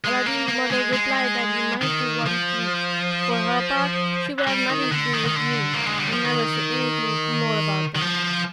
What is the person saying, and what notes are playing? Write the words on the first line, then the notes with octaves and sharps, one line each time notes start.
Aladdin's mother replied that he might do what he pleased; for her part she would have nothing to do with genies, and never say anything more about them.
G#3
A#3
A#3
G#3
G#3
D#3
F3
G3
D#3
D3
D#3
D#3
D3
A#3
G#3
G3
F3
D#3
D#3
F3